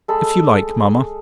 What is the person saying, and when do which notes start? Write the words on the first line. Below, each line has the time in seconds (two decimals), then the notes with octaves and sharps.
"If you like, mama."
0.08 G#3 A4 B5